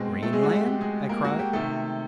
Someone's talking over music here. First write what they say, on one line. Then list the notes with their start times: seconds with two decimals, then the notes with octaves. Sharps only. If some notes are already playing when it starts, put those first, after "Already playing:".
"Greenland?" I cried.
Already playing: B2 G#3 C4 G#4
0.22 A3 A4
0.33 G#3 G#4
0.44 F#4
0.54 G4
0.66 G4
0.81 G#3 G#4
1.09 A#3 A#4
1.24 F#4
1.39 G4
1.53 C3 D#3 A3 A4